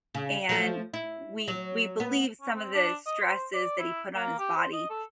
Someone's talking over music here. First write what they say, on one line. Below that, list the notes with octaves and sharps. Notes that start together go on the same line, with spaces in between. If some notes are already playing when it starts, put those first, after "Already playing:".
and we we believe some of the stresses that he put on his body,
C#3
F3 A3
E4
F#3
B3
C#4
C4
D4
D#5
C5
D5
E4
A#3
G4
C5
D#5
A4